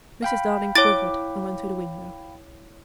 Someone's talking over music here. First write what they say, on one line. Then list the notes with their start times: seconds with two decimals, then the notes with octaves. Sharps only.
Mrs. Darling quivered and went to the window.
0.22 F5 G5 B5
0.75 E4 C#5 D6 A6